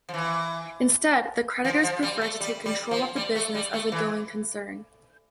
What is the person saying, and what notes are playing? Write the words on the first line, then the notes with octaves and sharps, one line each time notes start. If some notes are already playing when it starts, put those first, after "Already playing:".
Instead the creditors prefer to take control of the business as a going concern.
F3
E3
F3
F3
G3
A3
G3
G3
F3
G3
A3
G3
A3
E3